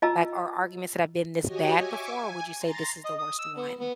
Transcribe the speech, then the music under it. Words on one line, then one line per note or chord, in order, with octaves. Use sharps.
like, or arguments that have been this bad before or would you say this is the worst one?
F4 D#5 A5 A#5 E6
F#4 G4 C#5 D#5 G#5
E5 G#5 C#6 D6
G#5
A#5 C6 A6 A#6
D#5
D#6
E6
B3
B3